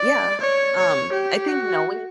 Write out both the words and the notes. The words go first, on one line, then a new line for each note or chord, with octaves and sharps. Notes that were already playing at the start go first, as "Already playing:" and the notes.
yeah, um, I think knowing
Already playing: D5
C#5
C#5
G4
F#4